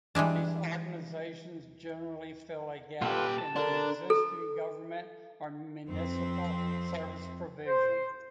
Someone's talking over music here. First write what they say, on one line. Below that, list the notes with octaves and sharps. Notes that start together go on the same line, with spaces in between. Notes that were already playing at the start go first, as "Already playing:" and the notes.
These organizations generally fill a gap in the existing government or municipal service provision.
E3 G3 G#3 D4
A#2 F4 G4 A4 B4
A5
D3 D4 A#4 A#5
A4
F2 C4
C5